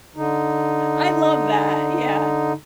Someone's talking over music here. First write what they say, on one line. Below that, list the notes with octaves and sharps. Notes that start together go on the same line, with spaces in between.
I love that. Yeah.
D3 D#4